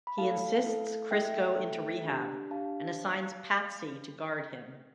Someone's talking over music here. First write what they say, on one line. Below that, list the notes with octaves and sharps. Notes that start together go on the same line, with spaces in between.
He insists Chris go into rehab and assigns Patsy to guard him.
B5
A3 E4 A4 F5 A5
A3 E4 A4
A3 E4 A4 E5 G5
A3 E4 A4
D4 G4
D4 G4 F5 A5